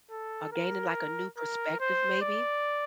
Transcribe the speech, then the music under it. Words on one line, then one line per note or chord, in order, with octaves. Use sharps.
or gaining, like, a new perspective maybe?
A4
A#4
A#4
C5
D5